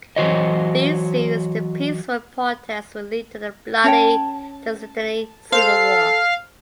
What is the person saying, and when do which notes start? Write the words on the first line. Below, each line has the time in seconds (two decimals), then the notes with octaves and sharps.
These series of peaceful protests would lead to the bloody Tajikistani Civil War.
0.16 E3 F#3 F#4 C5 C#5 D#5
3.84 C#4 C#5 G5 A5
5.52 A4 C5 F5